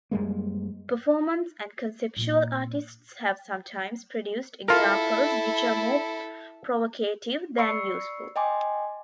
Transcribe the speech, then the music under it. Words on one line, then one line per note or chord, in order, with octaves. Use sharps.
Performance and conceptual artists have sometimes produced examples which are more provocative than useful.
F#2 G3 G#3 A#3
A#2 A#3
E4 F4 A4 A#4
D5 B5 C#6 E6 C7 C#7
D#5 G5 G#5 C6 D6